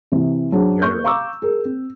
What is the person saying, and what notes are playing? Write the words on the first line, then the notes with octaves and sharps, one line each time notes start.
you got it right,
C3 E3
F#3 D4 G#4 C5
A#3 C#6 G6
F5 A#5 C#6 D6 E6
G#4 A#4
C4